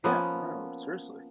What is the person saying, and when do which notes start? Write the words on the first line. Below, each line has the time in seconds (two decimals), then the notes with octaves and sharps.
Yeah, I know, seriously.
0.04 F3 A#3 B3 C#4